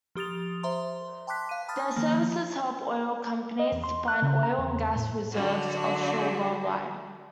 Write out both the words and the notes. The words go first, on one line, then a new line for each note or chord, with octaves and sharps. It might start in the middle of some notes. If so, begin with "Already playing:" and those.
Their services help oil companies to find oil and gas reserves offshore worldwide.
F3 G4 D#6 A6 F7
C5 E5 A#5 C6
G5 A5 C6 D6 F#6 B6
F5 D#7
A5 B5 D#6 F6 A6
D#3 F3 A#3
D#5
E2
C6
F#6
C#3
A#5
E2
A2
D3 F#3 F#4